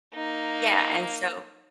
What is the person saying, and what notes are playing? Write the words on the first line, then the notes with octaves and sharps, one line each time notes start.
Yeah, and so
A#3 D#4